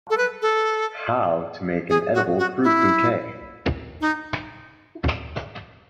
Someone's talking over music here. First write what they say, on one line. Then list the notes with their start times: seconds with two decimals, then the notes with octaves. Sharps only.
How to make an edible fruit bouquet.
0.10 A4
0.18 B4
0.42 A4
1.89 G#4
2.14 F#4
2.39 F#4
2.64 E4
4.01 D#4